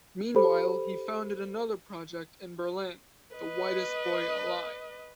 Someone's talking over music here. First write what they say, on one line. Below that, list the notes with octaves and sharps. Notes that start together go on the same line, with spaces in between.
Meanwhile, he founded another project in Berlin, The Whitest Boy Alive.
G4 A4 C5 B5
B4 D#5